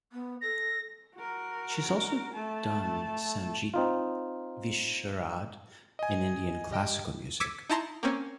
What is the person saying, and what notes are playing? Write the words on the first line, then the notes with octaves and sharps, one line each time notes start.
She has also done Sangeet Visharad in Indian classical music.
B3
A4 A#6
F#4 A#4
A3 A5
C4 D#4 F4
D#5 G#5
G4 D#5 G5
D6 E6 G#6 B6 C#7 D#7
D#4 E4 A5 A#5 C6
A#3 C4 C#4